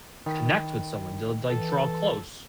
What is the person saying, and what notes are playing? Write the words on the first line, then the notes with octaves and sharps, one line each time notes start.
connect with someone, du like, draw close.
D#3 D#5 G5 B5
E3 A4